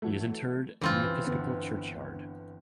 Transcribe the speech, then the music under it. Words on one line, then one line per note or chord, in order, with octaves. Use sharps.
He is interred in the Episcopal Churchyard.
E3 F#3 A3
C#2 G2 E3 C4 F4
G1 D3 B3